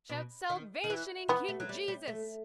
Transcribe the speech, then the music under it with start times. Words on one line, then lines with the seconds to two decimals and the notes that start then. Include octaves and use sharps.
Shout salvation in King Jesus.
0.09 B2
0.50 D#3
0.84 D#3
0.90 E3
1.28 E3 B3
1.48 A3
1.60 F#3
1.69 G3
1.88 G3
2.08 A3